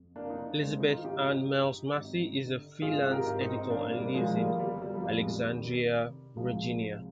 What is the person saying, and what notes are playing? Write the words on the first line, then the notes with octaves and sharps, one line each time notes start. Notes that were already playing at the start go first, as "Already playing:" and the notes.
Elizabeth Anne Miles-Masci is a free lance editor and lives in Alexandria, Virginia.
Already playing: F2
F1 A#3 D4
D#4
A#3 D4
D#3 G#3 C4
D#4
F4
G#1 D#4 G4
G2
G#1
D3
G#1 F4 G#4
G4 A#4
G#2
C4 D#4
G#1 A#3 D4
G3 A#3
D#3 F3 G#3
G3 A#3
G1 G3
G3
F3
F2 G3
G#3
G3
D#3
C3
C2 F3 G#3
C3